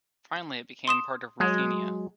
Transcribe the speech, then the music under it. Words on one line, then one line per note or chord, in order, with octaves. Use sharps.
Finally it became a part of Ruthenia.
C6 D#6 E7
F#3 G#3